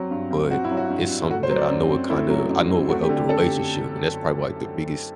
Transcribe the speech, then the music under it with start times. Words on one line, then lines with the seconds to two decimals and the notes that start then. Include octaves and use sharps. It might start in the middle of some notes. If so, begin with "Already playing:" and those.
but it's something that I know it kinda I know it would help the relationship, and that's probably like the biggest
Already playing: F#3 C4
0.11 G2
0.31 G2
0.50 C4 F#4
0.64 E4
0.71 F#3
0.77 F#4
0.90 G2
1.10 G2
1.30 A3 F#4
1.43 C5
1.50 F#3
1.57 D5
1.70 F#2
1.90 C4
2.10 A3 E4
2.30 F#3
2.50 F#2
2.70 C4
2.89 A3 F#4
3.03 G4
3.09 D3
3.16 G4
3.29 F#2 A4
3.42 G4